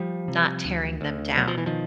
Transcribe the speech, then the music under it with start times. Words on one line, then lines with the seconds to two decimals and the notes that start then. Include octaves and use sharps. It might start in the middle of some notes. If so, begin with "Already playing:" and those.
not tearing them down.
Already playing: F3 G3
0.28 C3
0.65 D2
1.01 D2
1.37 B2 F#3
1.48 F3
1.58 E3
1.66 D#3 F3